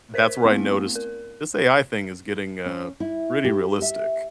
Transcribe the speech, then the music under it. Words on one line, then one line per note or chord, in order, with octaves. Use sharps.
that's where I noticed, "This AI thing is getting, uh, pretty realistic."
A#4 C5 B6
A3 B3 C4 E4
A#4
C#4
E4
G4
E5